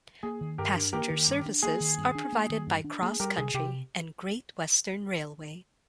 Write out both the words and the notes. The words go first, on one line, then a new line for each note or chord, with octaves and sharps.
Passenger services are provided by CrossCountry and Great Western Railway.
A#3 G#4
D#3
G2 G4 A#4
D4
A#3 G4 A#4
D#3
G2
D4
A#3 G#4
D#3
G2
D4
A#3
D#3
G2
D4
A#3 G#4
G3 G4 A#4
C3 G#4
C3 G4